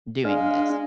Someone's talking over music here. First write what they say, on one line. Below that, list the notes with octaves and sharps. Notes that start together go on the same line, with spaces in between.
doing this.
G#3 D4 F5